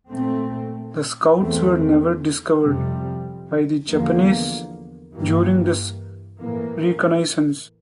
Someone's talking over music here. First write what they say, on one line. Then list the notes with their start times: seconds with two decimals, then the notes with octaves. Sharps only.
The scouts were never discovered by the Japanese during this reconnaissance.
0.11 A#2 A3 C4
1.36 E2 E3 A3 C4
2.62 F2 C3 G3
3.87 E2 D3 F3 A#3
5.13 G2 E3 G3 A#3
6.39 A2 E3 A#3